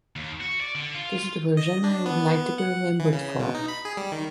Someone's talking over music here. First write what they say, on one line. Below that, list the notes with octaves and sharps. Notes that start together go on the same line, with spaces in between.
This is the version I would like to be remembered for.
D#2
F#4
D5
D3
F4
F4
D#5
D4
B3
F#5
E3
C#3
B2
D#4
B5
G#4
G3
D#3